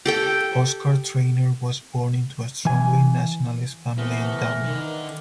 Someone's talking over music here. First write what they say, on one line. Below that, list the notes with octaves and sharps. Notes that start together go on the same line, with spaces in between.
Oscar Traynor was born into a strongly nationalist family in Dublin.
G4 A4 G5
E3 G#5
A2 C3 E3 A3 B3 A#4
D3 D#3